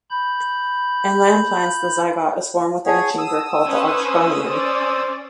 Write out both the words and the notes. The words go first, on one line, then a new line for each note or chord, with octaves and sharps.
In land plants, the zygote is formed within a chamber called the archegonium.
B5 G6
G#4 C#5 F#5 A5
D#6 E6
C#4 B4 C5
C#4 C5 D5